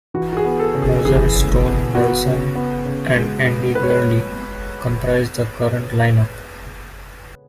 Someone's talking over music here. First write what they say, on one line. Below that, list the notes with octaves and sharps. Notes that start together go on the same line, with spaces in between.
Moser, Stone, Nelson and Andy Gurley comprise the current lineup.
E3 F#4
F#4
G#4
B3
A4
C#3
G#4
E3 G#4
C#3
B3
B3 F#4
C#3
B3
C#3
G#3
B3
G#3 B4
C#5
B4